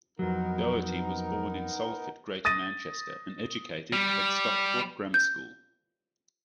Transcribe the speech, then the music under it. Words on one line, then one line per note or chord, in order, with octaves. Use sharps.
Dougherty was born in Salford, Greater Manchester and educated at Stockport Grammar School.
F2 F#3 B3 D#4 A#4
D#6 A6 A#6 D#7
G3
G6